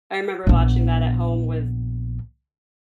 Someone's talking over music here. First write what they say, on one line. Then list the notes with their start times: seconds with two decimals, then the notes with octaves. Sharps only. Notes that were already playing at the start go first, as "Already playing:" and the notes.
I remember watching that at home with,
0.47 A#1 B3